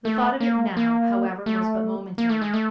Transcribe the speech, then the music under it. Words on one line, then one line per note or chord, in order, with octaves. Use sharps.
The thought of it now, however, was but momentary.
A3
A#3
A#3
A3
A#3
A3
G#3
A3